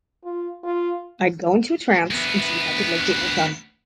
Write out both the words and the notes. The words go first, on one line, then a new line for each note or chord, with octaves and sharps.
I'd go into a trance and see if I could locate my chum.
F4
F4
D2 B3